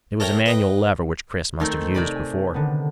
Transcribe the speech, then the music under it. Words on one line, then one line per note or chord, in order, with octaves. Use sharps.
There was a manual lever, which Chris must have used before.
A4 A#4 C#5 E5 G5 A#5
B4 D#5 G5
D#3 A3 C4
C3 D5 B5
G#5
D3 D#3 B3